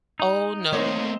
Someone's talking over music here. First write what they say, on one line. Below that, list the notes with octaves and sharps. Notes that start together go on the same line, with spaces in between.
oh no."
D#4
A3 A#3 C4 C#5 D#5